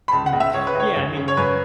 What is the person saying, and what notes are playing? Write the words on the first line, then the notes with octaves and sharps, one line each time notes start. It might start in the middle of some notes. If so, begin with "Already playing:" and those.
Hmm. Yeah, I mean
B5
C#2 A5
F#5
C#2
E5
C#2 C#5
B4
C#2 C#5
F#2
C#3
C#5
F#2 B4